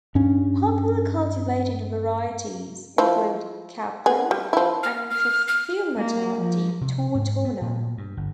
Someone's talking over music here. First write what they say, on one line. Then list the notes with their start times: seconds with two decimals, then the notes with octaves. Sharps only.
Popular cultivated varieties include 'Capron' and 'Profumata di Tortona'.
0.15 G2 C#4
2.98 F3 E4
4.06 B3 G#4
4.31 G3
4.53 F3 E4
4.83 F6
5.10 F6
5.48 F6
5.97 A#3
6.35 F3
6.81 C3
7.15 G#2
7.45 B3
7.62 A#2
7.98 G2
8.17 G1